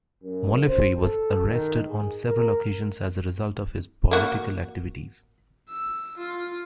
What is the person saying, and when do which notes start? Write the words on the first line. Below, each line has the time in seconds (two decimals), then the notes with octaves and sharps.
Molefe was arrested on several occasions as a result of his political activities.
0.24 F#2
0.67 C5
0.97 A4
1.48 D#3
1.88 G#4
2.25 A#4
4.11 A#3 F#4
5.69 E6
6.17 F4